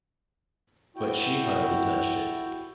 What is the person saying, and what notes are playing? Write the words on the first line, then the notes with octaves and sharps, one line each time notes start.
But she hardly touched it.
E4 F#4 G5